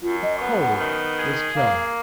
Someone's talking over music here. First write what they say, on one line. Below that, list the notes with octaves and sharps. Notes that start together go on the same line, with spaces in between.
The cold was killing.
F#2 F4
D#5
B3 F#5
F#5
D#3
G#4
A#3 F5